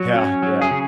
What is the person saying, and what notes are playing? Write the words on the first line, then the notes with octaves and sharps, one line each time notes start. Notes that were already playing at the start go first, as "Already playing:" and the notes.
Yeah, yeah.
Already playing: F#3 F#4
C#4
F#3
G#4
C#3